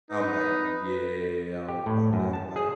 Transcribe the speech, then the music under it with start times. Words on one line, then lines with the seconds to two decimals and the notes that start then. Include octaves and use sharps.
I'm, like, "Yeah, I don't know about that," like
0.10 D#4 B4
1.69 G4
1.86 A2
2.13 F#2
2.33 A5
2.56 G#4